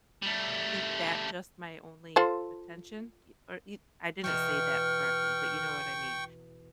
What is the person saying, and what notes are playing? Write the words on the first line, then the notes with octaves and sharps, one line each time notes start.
keep that just my only attention, y or y I didn't say that correctly, but you know what I mean,
G3 A3
F4 A4 C5
E2 B2 G5 A#5 C#6 F6